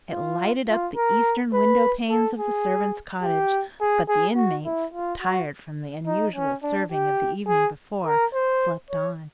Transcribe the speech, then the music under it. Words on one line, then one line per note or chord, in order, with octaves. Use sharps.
It lighted up the eastern window-panes of the servants' cottage, but the inmates, tired from the unusual serving of the evening before, slept on.
F4
F4
A#4
B4
A4
G#4
G4
G#4
G#4
F#4
E4
F4
F#4
D#4
C#4
D4
G4
G#4
A#4
C5
C#5